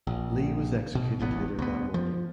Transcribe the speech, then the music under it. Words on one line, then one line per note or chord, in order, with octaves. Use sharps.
Lee was executed later that morning.
A#1
B2
E1 A1 E2 B3
D2 B3
F3